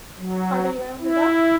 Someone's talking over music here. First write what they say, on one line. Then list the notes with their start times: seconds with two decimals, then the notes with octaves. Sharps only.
Are they rounded up?
0.17 F#3
1.01 E4